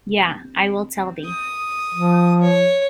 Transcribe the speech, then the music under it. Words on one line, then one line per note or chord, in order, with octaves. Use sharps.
Yea, I will tell thee.
D#6
F3
C#5